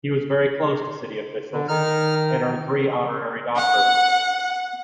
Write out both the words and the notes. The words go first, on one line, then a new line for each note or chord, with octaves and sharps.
He was very close to city officials and earned three honorary doctorates.
D3
D#3 D#4 F6
F#5